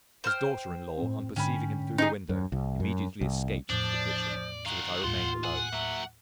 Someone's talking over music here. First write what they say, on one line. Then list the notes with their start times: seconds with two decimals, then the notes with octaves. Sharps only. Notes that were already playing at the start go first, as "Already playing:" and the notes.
His daughter-in-law, on perceiving him through the window, immediately escaped to the kitchen, so that I remained alone.
0.24 C5 G5 F6
0.97 A2 C4
1.36 G#2 D3 C#4 G5 B5
1.98 D#4 G#4
2.29 F#2
2.52 C2
2.80 F#2
3.21 C2
3.70 E2 A2 F3 D4 D5
4.66 D#3 G3 F5 F#5
5.04 D#2 A2 F4 C5
5.44 B1 G#4 F#5
5.72 F#3 A#3 E5